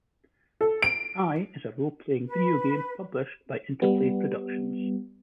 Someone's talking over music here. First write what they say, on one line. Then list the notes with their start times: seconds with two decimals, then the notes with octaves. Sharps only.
I is a role-playing video game published by Interplay Productions.
0.61 A4
0.82 D7
2.29 B4
3.82 G3 B3